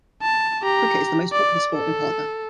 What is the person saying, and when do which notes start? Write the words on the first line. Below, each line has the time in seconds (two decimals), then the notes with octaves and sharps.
Cricket is the most popular sport in Palghar.
0.22 A5
0.63 G4 A#5
1.32 D5
1.74 A4